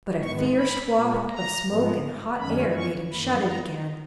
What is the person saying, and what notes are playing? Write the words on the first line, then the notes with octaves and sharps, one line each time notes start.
But a fierce waft of smoke and hot air made him shut it again.
G#2 D#3 G#3 B3 C#6
B5
A#2 G#3 B3
A#5
G#2 F3 G#3 B3
F#2 D#3 G#3 C#4 B5
C#6
F#2 D#3 A#3 B5
A#5